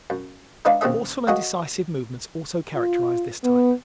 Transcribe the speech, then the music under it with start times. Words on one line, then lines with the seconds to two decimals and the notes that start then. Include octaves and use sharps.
Forceful, decisive movements also characterize this type.
0.10 F#2
0.65 G#3 D4 D#4 B4 D5 F5
0.81 A#1 D#2 C4 C#4 G#4 E5
1.27 F#3 A#3 F#4 G#4 D#5
2.76 F4
3.44 B3